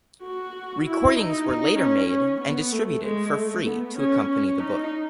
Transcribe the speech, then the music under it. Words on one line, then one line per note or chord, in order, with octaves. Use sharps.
Recordings were later made and distributed for free to accompany the book.
F#4
E4
D#4
D#4
C#4
C#4
B3
A3
G#3
A3
B3
C#4
C#4
D#4